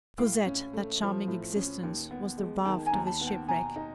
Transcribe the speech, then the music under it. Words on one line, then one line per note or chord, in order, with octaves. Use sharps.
Cosette, that charming existence, was the raft of this shipwreck.
A2 F5 G5
C#4
A3
F3
A2
C#4
D#2
B3
G#3
D#3 G5 A5
G#5 A#5
D#2
A5 B5
B3
G5 A5
B2 G#5 A#5
D#4